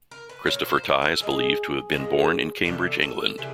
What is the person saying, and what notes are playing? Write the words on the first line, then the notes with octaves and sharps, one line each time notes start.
Christopher Tye is believed to have been born in Cambridge, England.
A#4
B4
A#2 F3 C#5
C5
A#4
A4
A#2 F3 G#3 G#4
A#2 F3 G#3
C3 E3 G3 A4
A4
C3 E3 G3 G#4